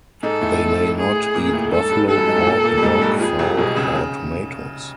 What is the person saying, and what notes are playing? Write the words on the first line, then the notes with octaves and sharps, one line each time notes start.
They may not eat buffalo, pork, dog, fowl, or tomatoes.
G#2 G#3 A4
A2 A3
G#4
A#2 A#3
A2 A3
G#2 G#3 A4
G2 G3
G2 G3 A4
F#2 F#3
G#2 G#3
A2 A3
A#2 A#3
A#2 A#3
G3
G#2 G#3
G2 G3
F2 F3 G#4
C2 C3
B1 B2 G#4
C#2 C#3
C#3